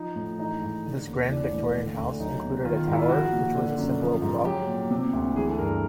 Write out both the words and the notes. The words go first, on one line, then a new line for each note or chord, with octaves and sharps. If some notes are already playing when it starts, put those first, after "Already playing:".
This grand Victorian house included a tower, which was a symbol of wealth.
Already playing: F3 D#4
A2
E3 D#4
G#2
D3
D#2
E3 D4
A2
D3
D2
F#3 D#4
B2
D#3 F4
G#2
E4
F4
F3 F#4
A#2
D3
F#2
F3
G#2
F#3 G4
A#2
C3
D2
E3 G#4
A4
G2 A#4